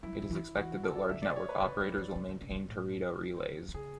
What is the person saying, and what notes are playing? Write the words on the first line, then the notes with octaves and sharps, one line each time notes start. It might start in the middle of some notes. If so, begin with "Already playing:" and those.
It is expected that large network operators will maintain Teredo relays.
F#3 E4
E3
D3
E3
E3 F#4
A4
D5
D3 E5
D5
C#5
B4
C#3
F#3
E3
C#3
D3
C#3
D3
C#3
A2
D3
C#3 G#4